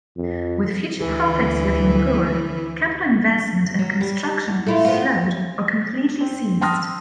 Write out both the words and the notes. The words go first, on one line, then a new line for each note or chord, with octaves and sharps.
With future profits looking poor, capital investment and construction slowed or completely ceased.
F2
D2 E3
F#3
G3
E2
A3 E4 F4
B3 C4 F4
C4
G5 A5 C6 D#6 F6 A#6
E6